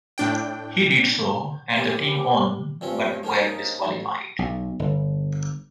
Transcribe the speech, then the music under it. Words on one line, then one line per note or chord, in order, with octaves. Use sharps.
He did so and the team won but were disqualified.
A2 D4 G5
D#2 E3 C#4 G4
G2 C4 C#4 F4
F3 A#3 C#4 A#4
D#4
A1
B1
G1